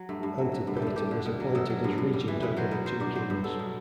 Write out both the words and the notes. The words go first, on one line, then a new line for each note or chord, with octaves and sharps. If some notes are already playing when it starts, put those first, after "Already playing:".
Antipater was appointed as regent over the two kings.
Already playing: F#3
G2 A3
G2
F#3
D3
G2 A3
G3
G2 A3
G3 G4
D3
B2
F#3
B2 A4
F#3
G2
G2
G3
E3
B2 B4
F#3 C5
B2 B4
F#3 C5
G2 D5
F#3 C5
G2
F#3 A4
B2